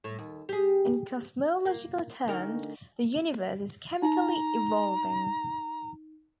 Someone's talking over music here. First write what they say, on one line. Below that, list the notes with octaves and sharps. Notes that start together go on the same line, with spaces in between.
In cosmological terms, the universe is chemically evolving.
A2
D#2
G4 G#4
A#3
D2 D#4 A#4
D#4 A#5